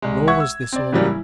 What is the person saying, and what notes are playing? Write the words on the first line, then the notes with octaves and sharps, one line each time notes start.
Nor was this all.
C2 G#3
E5 F#5 C#6 G#6
E6
C4 D5
A2 C#3 E3 F#3 G3 A#3
E4